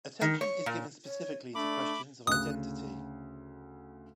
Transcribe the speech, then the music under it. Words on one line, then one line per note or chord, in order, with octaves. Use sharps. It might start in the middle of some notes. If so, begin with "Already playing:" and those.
Attention is given specifically to questions of identity.
D#3
C#5
A#2
C#5
A3 D4 B5 D6
D2 C#3 D#6 F#6